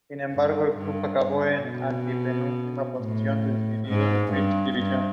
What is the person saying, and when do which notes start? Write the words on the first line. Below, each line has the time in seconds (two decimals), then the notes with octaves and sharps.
The cinematography and editing is done by Giridhar Divan.
0.33 G2
0.77 G2
1.22 G2
1.66 B2
3.00 A2
3.88 G#2
4.33 G2
4.77 G2